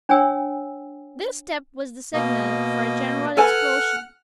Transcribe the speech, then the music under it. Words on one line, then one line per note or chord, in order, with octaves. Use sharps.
This step was the signal for a general explosion.
D4 C#5 G5 G#5 E6
B2 A#3 D#5
A4 B4 F#5 G#5 F6 F#6